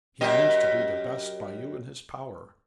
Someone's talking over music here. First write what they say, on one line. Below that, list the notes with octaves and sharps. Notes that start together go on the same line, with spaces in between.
'He means to do the best by you in his power.
F#2 G4 D#5